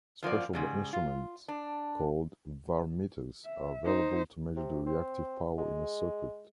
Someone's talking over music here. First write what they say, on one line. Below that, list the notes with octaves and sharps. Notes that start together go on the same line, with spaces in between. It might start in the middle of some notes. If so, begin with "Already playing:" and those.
Special instruments called "varmeters" are available to measure the reactive power in a circuit.
F#2 F3 A#3 D5
G#2 C#3 G3
F4
D4
E5
D#4 C5
C3
C4
G#3